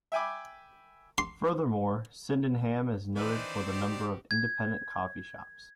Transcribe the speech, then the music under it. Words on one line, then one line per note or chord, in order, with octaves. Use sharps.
Furthermore, Sydenham is noted for the number of independent coffee shops.
E5 G5 G#5 B5 D6
C6
D#3 E3 C4 D4 D#4 B4
F#4 G4
G#6